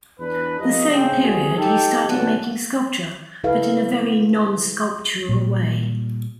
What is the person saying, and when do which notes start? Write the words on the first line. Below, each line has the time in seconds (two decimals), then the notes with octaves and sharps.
The same period he started making sculpture, but in a very not-sculptural way.
0.20 E2 D4 B4
0.59 F3 G4 A#4 D#5
0.91 C#3 C4
1.23 C2 F#4 G#4
1.57 D#4 G4 A4
2.08 F#1 B1 D3 E3 F#5 A5
3.44 C#3 E4 A4 B4 F5
5.29 A#2 G3